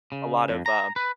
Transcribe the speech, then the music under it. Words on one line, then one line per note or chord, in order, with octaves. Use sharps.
a lot of uh,
C#3
F2
A#5
B4